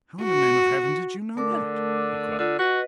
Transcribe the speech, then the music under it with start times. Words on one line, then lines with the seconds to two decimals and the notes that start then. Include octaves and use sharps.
"How in the name of Heaven did you know that?" he cried.
0.23 F#4
1.37 D3 A3 A#4 D6
2.39 D3 F4
2.59 F#4 B4 D#5